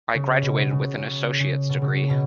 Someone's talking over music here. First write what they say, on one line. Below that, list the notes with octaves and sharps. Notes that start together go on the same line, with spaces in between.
I graduated with an associate degree.
C#3
B2
C#3
C#3
C#3
B2
C#3
B2